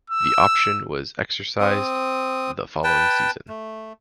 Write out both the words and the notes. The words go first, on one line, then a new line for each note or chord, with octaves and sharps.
The option was exercised the following season.
E6
C4 D#6
B4 G5 A5
A3